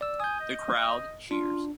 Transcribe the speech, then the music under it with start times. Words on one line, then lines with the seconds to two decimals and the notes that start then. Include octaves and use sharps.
The crowd cheers.
0.01 D5 E6
0.20 G#5 D#6 G6
0.40 D#5
1.31 D4 F4